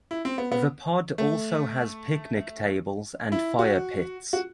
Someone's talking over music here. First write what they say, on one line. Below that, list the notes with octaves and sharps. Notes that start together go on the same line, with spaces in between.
The pod also has picnic tables and fire pits.
E4
C4
B3
B3
A3
E4
F#4
F#4